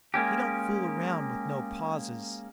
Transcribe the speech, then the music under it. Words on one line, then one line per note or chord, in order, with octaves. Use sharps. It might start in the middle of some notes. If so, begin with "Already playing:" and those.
He don't fool around with no pauses.
G#3 A#3 C#4 G4